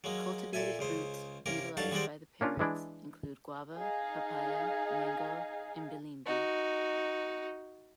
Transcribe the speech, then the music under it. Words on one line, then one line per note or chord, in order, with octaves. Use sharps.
Cultivated fruits utilised by the parrots include guava, papaya, mango and bilimbi.
F#3 G#3 A#3
A#2 A4 E5 G#5
C#2 C#3 C5
C3 A#3 C#4 A#4
G2 F#3 A4 F5 A5 C#6
D#2 G3 G#3 F#4 C5 D5
A#3 C#4 D4 F4
E3 G#3 D4 E4
D#4 G#4 F5
D#4 F#4